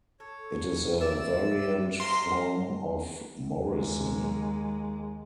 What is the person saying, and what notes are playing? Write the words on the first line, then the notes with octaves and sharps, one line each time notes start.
It is a variant form of Morrison.
A4 C#5
D5 E5 E6
F5 A#5 C6
D#2 G#3